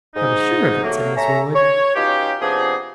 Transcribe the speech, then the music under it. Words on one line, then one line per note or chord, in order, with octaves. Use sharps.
"I was sure of it," said Miss Winwood.
G#2 D#4
F#3 A3 A#3
A4 C#5 E5 G#5 A#5
C#5
B2 C#4 D#4 F4 G4
C3 F3 B3 D4 D#4 G#4